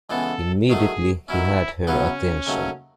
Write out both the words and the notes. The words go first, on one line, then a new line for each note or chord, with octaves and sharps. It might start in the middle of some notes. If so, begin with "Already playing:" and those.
Immediately he had her attention.
C#2 C#3 E3 G#3 B3 A4
D#3 F#3 A3 D#4 G#4
D#3 F#3 C#4 E4
C#3 F#3 B3 C#4 E4 B4
D#2 C#3 F#3 A3